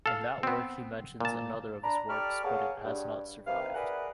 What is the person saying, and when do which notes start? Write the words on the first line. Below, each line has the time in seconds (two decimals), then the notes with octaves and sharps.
In that work he mentions another of his works, but it has not survived.
0.06 A4 F5
0.43 B3 C4
1.20 A#2 A5
1.84 D4 A#5 B5
2.08 G4 A4 D5 B5 C#6 F6
2.44 A#3 B3 G#4 C#5 F#5 A5
2.85 G2
3.47 C2 C3 D#3 B4 F5
3.74 G#4 A#4 B4 D5 E5 F#5